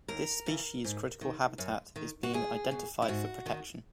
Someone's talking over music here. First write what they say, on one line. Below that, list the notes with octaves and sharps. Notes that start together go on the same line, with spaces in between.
This species' critical habitat is being identified for protection.
D#2 A#4
C#3 E3
G#2
D#3
F#2
D#3
F#4
E2 G#4
B2
E4
G#2 F#4
D#3